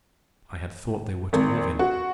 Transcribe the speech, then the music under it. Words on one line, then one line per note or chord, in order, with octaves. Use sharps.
I had thought they were to live in.
G#1
F#4